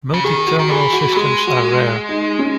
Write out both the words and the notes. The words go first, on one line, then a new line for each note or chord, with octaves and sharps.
Multi-terminal systems are rare.
C#3
D#3 G#4
F#4
D#3
E3 G#4
F#4
F#3
G#3 G#4
F#4
D#4
C#4